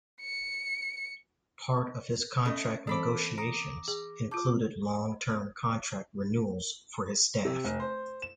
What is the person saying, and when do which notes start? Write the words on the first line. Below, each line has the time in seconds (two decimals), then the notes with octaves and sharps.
Part of his contract negotiations included long-term contract renewals for his staff.
0.22 C#7
2.45 A3 C#4 D#5
2.87 E3 C4 A4 C5 B5 D6
3.38 A#5 D6 D#6
3.88 G#4
4.31 F4 A5 D6 G6
7.45 C3
7.64 F1
7.80 C5
8.22 E7